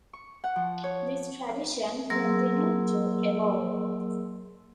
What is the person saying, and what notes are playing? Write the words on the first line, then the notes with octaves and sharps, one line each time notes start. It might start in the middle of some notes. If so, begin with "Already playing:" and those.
This tradition continued to evolve.
C#6
F#5
F3
C#5
F#3 A#3 G#4 A#4 C6 E6